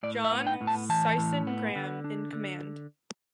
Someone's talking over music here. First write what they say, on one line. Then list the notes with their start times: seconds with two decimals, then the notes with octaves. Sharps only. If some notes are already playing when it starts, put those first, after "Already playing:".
John Sisson Graham in command.
0.03 A2 D5
0.25 E5
0.32 B3
0.47 G5
0.61 A2
0.67 A5
0.89 E3 A5
1.18 A2
1.47 B3
1.76 D3
2.04 D4
2.33 D3